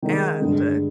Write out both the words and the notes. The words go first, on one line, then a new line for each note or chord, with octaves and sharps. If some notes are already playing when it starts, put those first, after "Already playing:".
and, eh
D#3 G#3 D#4 G#4
G2 D3 G#3